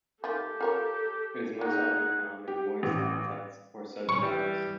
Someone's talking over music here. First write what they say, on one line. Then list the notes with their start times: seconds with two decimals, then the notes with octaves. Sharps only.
It is most often found in moist habitats or sedge meadows.
0.24 D#3 A3 F4 G4 A4
0.61 F4 A#4 C#5
1.61 F#3 D#4 G#4 F#5
2.48 G4
2.83 A1
4.09 C#4 C#6
4.21 E3 G3